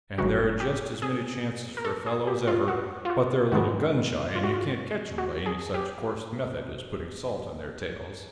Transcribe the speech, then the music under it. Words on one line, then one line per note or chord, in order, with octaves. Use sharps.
And there're just as many chances for a fellow as ever, but they're a little gun shy, and you can't catch them by any such coarse method as putting salt on their tails.
G1 F#2 C#3 F#4
G4
G#4
A#4
A4
G#4
G4
F4
F#4
F4
F#4
G#2 D#3 G#3 B3 F#4
F4
F#4
F4
F#4
G#4
G4